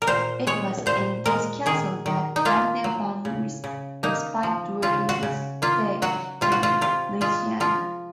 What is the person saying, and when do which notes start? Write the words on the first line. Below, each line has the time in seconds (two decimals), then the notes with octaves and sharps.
It was in these castles that Dante found respite during his stay in Lunigiana.
0.02 A#4
0.07 A#2 C5
0.47 G#3 C#5
0.86 A#2 C5
1.26 G#3 A#4
1.66 D#3 G#4
2.06 D#3
2.36 D#4
2.45 A#3 F4
2.84 F#3
3.25 C#3
3.64 C#3
4.03 A#3 D#4
4.43 F3
4.82 C#3 F4
5.09 F#4
5.23 C#3
5.62 A#3 F4
6.02 F#3 F#4
6.41 C3 F4
6.52 F#4
6.63 F4
6.81 C3 F4
7.21 G#3 F4
7.60 F3 F4